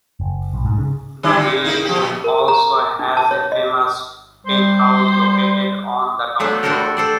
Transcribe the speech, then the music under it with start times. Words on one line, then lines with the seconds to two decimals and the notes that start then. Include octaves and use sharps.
The building also has a famous penthouse located on the top floor.
0.20 F#1
0.54 B1
0.65 G#2
0.78 C#3
1.23 D3 G3 E4
1.37 A#2
1.64 A#3 D#4 E4
1.85 F3 A#3 G4
1.97 A#2
2.24 A#4
2.48 A#5
2.78 D6
2.99 D4
3.17 A5
3.31 C#5
3.52 D#5
4.46 G3 C5
6.40 F#3 A3 B3 D4 C5
6.63 A3 D4 F#4 G4 A4 A#4
6.97 A4 C5 D5